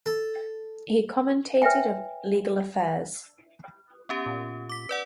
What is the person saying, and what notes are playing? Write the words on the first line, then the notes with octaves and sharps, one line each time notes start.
He commentated of legal affairs.
A4
B4 C#5 E5 G5 G#5
B3 C#4 G4
A#2
D6 B6
B4 D5 F#5